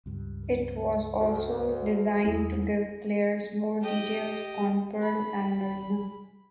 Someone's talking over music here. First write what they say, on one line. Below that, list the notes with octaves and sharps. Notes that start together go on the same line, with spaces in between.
It was also designed to give players more details on Pearl and Marina.
C#2 G2
D2
E2 G3 A3 E4 G#4
G4 D#5
B5